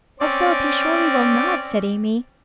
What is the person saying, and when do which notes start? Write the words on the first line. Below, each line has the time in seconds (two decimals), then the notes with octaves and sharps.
'O Philip, you surely will not?' said Amy.
0.20 C4 C#4 D5